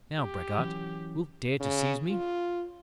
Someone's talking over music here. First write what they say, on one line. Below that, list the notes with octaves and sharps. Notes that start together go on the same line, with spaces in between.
"Now, braggart, wilt dare to seize me?"
G4
E3 F#3 C#4
C#3
F4